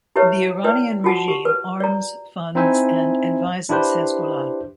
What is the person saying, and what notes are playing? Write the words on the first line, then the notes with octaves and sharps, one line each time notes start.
The Iranian regime arms, funds, and advises Hezbollah.
E4 G4 B4 C#5 E5
E4 B4 D5 G5
F4 F#4 F#5 A5
G4
B4
D5 A#5
C4 D#4 E4 C5 E5 G#5
D4 E4 G4 B4 C5